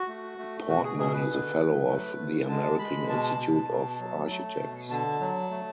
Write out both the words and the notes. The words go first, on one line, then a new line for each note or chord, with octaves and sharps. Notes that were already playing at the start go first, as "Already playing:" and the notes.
Portman is a Fellow of the American Institute of Architects.
Already playing: F#4
A3
A3
B2 F#4
G#4
B2 G#4
B4
D3
F#3
A3
D3
G#3 A5
G#3 B5
B2 A5
B2
B2
F#3
A3
B2
D3 A5
F#3
A3